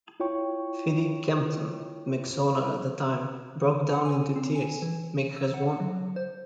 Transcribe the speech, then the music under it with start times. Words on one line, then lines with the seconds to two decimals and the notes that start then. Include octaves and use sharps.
Phiddy Kempton, Mick's owner at the time, broke down into tears, Mick has won!
0.20 E4 F4 C#5 G5 C#6
3.62 D#3
3.93 F#5
4.05 G#5
4.36 C4
4.55 G#5
4.82 E3
5.36 E6
5.54 F#5
5.80 F#3
6.16 C5